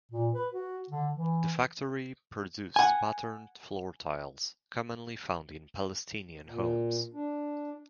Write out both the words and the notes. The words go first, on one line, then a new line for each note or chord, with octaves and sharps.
The factory produced patterned floor tiles commonly found in Palestinian homes.
A#2
B4
F#4
D3
E3
F#5 G#5
A#2
D4